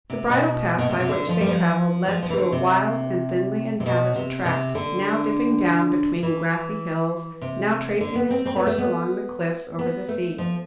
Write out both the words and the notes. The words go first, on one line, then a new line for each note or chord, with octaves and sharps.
The bridle-path by which they travelled led through a wild and thinly inhabited tract,--now dipping down between grassy hills, now tracing its course along the cliffs over the sea.
C3
B2
B2
C3
C3
D3
F3
G3
F3
F3
F3
E3
D3
C3
C3
B2
C3
C3
D3
E3
C3
D3
B3
C4
C4
B3
A3
B3
B3
A3
F3